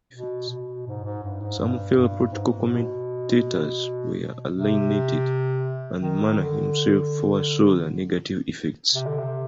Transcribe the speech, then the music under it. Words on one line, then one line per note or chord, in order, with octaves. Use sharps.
Some fellow political commentators were alienated, and Mann himself foresaw the negative effects.
B2
B2
G#2
G#2
G2
G#2
G2
G2
G#2
B2
C3
D#3
D3
C3
D3
C3